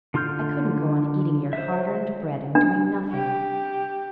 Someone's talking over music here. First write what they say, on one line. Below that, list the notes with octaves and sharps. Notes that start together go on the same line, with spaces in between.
I couldn't go on eating your hard-earned bread and doing nothing.
D3 F4 C6 F6 G6
C5 E5
D4
G4